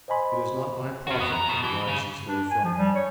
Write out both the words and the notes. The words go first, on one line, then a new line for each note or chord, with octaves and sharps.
It is not my profit that arises therefrom.'
C5 D#5 G#5 B5 C6
C#4 F#4
E3 B3
D#3 A#5
B2
E3
C#3
D4
G#5
F3
G3
C#5